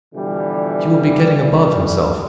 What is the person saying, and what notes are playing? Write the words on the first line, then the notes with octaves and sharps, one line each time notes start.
He will be getting above himself.'
B2 D3 E3 F3 G3